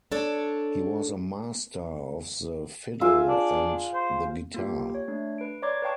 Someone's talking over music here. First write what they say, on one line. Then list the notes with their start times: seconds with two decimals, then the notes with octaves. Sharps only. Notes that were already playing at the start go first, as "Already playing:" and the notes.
He was a master of the fiddle and the guitar.
0.12 D4 A4 C#5
3.01 F4 G#4 E5
3.28 D4
3.94 C5
4.54 A#3 F4 G4
4.94 C#5
5.08 A3 D4
5.38 B4 D7
5.62 C#5 D5 A#5 C6 D6 G#6
5.82 B4 C#5 F5 G5 A5 C#6